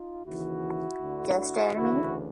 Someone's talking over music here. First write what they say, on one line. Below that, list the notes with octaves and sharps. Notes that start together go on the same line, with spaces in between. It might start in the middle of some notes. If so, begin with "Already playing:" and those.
Just tell me.
Already playing: D#4 F4
D#2 C#3 E3 E4 F#4
D2 D3
D2 C#3 E3 E4 F#4